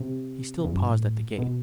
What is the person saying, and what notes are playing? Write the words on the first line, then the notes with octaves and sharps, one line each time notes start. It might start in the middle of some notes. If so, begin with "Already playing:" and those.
He still paused at the gate.
Already playing: C3
E2
F#2
G2
A2
B2